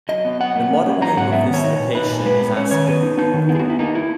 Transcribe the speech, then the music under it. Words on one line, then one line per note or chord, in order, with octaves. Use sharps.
The modern name of this location is Aspen.
F#3 D#5
B3
F#3 F#5
A#3
A#3
C#4
F#3 A#5
G#2 F#5
B3 E5
D#3
C#5
D#4
A#2
D#4 B4
A#2
G#3 B4
B3
C#4 C#5
D#3 C#5
B3 B4
D#4
B3 D#4
D#3
B3 E4
G#4
F#4
D#4
E4
A#3 D#4
E4